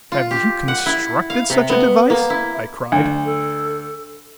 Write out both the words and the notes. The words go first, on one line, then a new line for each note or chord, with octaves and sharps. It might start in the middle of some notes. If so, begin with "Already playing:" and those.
"Have you constructed such a device?" I cried.
F4
G4
F#5
E4
F5
C3
B3
A#3
E4
D2
A4